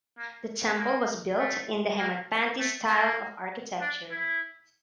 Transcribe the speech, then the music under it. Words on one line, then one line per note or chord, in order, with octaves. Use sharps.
The temple was built in the Hemadpanthi style of architecture.
A#3
A#3
A3
A#3
A3
A#3
D4
E4